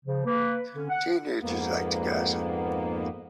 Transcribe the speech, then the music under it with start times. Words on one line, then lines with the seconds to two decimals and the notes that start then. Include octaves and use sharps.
Teenagers like to gossip.
0.05 C#3 F3
0.26 A#3 B4
0.75 D3 C#4
0.89 F#5
1.41 F2 G#2 A#3 B3